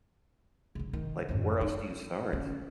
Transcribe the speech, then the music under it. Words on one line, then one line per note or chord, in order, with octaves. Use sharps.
like, where else do you start?
C#3 F#3
D#3
A1 F#2
D#4
D3 C#4